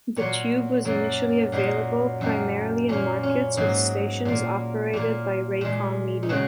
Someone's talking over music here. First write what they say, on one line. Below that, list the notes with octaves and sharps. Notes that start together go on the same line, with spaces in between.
The Tube was initially available primarily in markets with stations operated by Raycom Media.
A#2 F#3 A#3 C#5
F#2 F#3 A#3
A#2 F#3 A#3 D#4
F#2 D#3 A#3
A#2 A#3 C#4
C#4
G#2 F#3 A#3 D#4
A#2 A#3
A#2 A#3
A#2 G#3
D#4
C#3 G#3 F#4